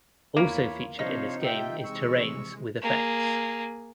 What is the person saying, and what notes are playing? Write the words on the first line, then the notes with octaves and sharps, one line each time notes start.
Also featured in this game is terrains with effects.
E2 A#3 E4 F4 C#5 B5
C3 F3 D4 D#4 C5 C#5 F5
F4 G4 E5 G5 G6
C3 E3 G#3 C#6 E6
A#3 G#4